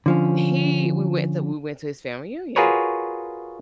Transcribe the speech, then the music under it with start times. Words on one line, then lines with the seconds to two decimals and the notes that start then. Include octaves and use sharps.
he we went to we went to his family reunion.
0.06 D3 F3 C#4
2.56 F4 F#4 G#4 A#4 B4 C#5